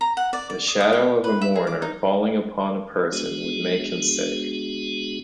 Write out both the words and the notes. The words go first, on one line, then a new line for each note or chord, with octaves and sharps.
The shadow of a mourner falling upon a person would make him sick.
A#5
F#5
D5
D5
D#6
D#6
G4
B4
E5
G#4
D6
D#4
G#3 B3 D4 F#4 G#4